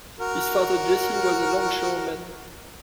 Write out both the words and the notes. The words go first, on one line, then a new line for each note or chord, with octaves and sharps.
His father Jessie was a longshoreman.
F#4 A#4